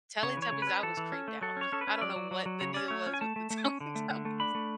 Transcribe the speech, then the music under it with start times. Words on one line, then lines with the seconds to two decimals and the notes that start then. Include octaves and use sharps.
Teletubbies, I was creeped out, I don't know what the deal was with the Teletubbies.
0.23 C#3 C#5
0.37 E3
0.42 C#5
0.52 C#3
0.62 C#4 B4
0.83 E3 A4
0.97 E3
1.12 C#4
1.28 A3
1.41 F#3 A4
1.57 C#4 C#5
1.72 C#4 A4
1.81 B4
1.87 C#4
2.01 F#3 D5
2.16 F#3
2.31 F#3
2.46 F#3
2.61 C#3 C#5
2.74 C#4 D5
2.88 A3 C#5
3.07 C#4
3.14 G#5
3.21 A3 A5
3.36 A3
3.50 A3
3.65 C#4
3.80 D3
3.95 A3
4.10 D3
4.25 A3
4.40 D4 B5
4.55 A3